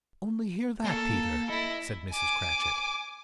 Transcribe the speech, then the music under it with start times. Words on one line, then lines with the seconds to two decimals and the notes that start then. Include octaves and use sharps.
"Only hear that, Peter," said Mrs. Cratchit.
0.84 A#3 A4
1.50 E4 D#5
2.10 G#5 D6